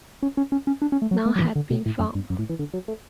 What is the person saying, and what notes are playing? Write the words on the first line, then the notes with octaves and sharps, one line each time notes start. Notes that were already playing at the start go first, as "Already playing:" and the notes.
None had been found.
C#4
C#4
C#4
C#4
D4
C#4
A3
F#3
A3
F#3
E3
D3
B2
A2
F#2
G2
F#2
A2
E3
D3
F#3
A3